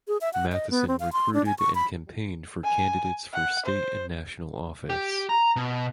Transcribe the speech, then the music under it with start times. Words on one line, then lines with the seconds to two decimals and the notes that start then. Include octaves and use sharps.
Matheson recruited and campaigned for candidates for state and national office.
0.08 G#4
0.21 E5
0.33 F#5
0.52 D#5
0.70 B3
0.88 C4
1.00 F5
1.13 C6
1.34 D4
1.46 G#5
1.59 C#6
1.75 B5
2.64 G#5
3.33 F#5
3.65 C5
4.90 G4
5.29 A#5
5.56 B2